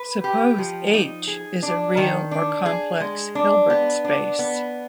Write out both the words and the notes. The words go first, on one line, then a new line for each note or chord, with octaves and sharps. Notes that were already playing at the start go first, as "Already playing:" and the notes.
Suppose "H" is a real or complex Hilbert space.
Already playing: B4
G4
F3
D#4
G#4
D4
D#3
D4
G#4
G#3
D4
B3
D4
B3